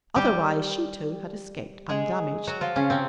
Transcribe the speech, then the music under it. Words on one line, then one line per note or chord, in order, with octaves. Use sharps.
Otherwise she, too, had escaped undamaged.
G3 G4
G#3 G#4
F#3 F#4
F3 F4
C#3 C#4
C3 C4